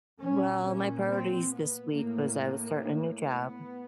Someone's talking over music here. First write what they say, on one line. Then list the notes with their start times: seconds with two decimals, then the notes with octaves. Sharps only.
Well, my priorities this week was, I was starting a new job,
0.21 A#2 C#4
0.64 C#4
1.07 C4
1.51 B3
1.94 A2 A#3
3.25 B3